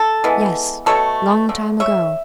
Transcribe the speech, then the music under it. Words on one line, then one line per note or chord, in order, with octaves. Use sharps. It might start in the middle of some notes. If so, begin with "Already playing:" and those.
Yes, long-time ago.
Already playing: A4
E3 G#3 B3
B2 A3 A4 C#5
D3 A3
C#5 E5